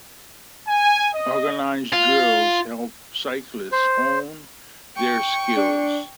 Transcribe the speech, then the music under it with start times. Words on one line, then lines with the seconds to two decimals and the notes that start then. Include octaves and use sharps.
Organized drills help cyclists hone their skills.
0.68 G#5
1.14 D#5
1.93 F4
3.72 C5
4.96 G5 C#6
5.57 D4